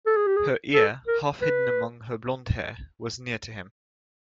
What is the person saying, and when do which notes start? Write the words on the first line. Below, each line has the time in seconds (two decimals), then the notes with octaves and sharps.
Her ear, half-hidden among her blonde hair, was near to him.
0.06 A4
0.16 G#4
0.27 G4
0.37 G#4
0.74 A4
1.08 A#4
1.42 B4